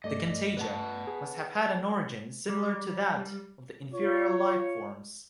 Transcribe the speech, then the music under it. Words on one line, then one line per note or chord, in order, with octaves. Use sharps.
The contagia must have had an origin similar to that of the inferior lifeforms.
G2 A3 D5 D#5
B4 F#5 A5
G#4
G3
F4 C#5